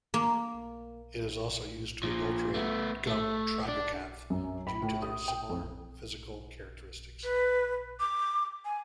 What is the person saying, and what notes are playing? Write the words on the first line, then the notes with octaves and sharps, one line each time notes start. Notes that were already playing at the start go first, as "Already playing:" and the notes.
It is also used to adulterate Gum tragacanth due to their similar physical characteristics.
A#3
A#2 F3
A3 B3
A3
D4
F#2
B5
A2
D#6
G5
F2
B4
D6
G#5